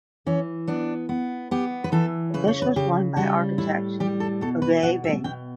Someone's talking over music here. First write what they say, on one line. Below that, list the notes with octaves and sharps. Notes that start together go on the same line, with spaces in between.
This was won by architect Ove Bang.
E3 C#4
B3 D4
B3
B3 G4
B4
E3 A4
C#3 B4
C#5
B4
C#3 G4
G3 F#4
A2 E4
G3 G4
A4
B2 A4
B4
B2 F#5
E5
B2 G5